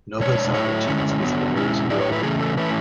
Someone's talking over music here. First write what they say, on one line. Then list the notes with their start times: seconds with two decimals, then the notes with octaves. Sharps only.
Novozarechensk is the nearest rural locality.
0.20 B2 G#3 D4 C#5
0.54 A2 F#3 A3 E4 C#5
0.87 D3 G#3 C#4 E4
1.21 D3 F#3 B3
1.56 B2 G#3 C#4 E4
1.89 A2 F#3 A3 E4 D5
2.01 C#5
2.12 B4
2.23 C#3 E3 A3 C#4 G#4
2.41 A4
2.57 E3 A3 C#4 E4 B4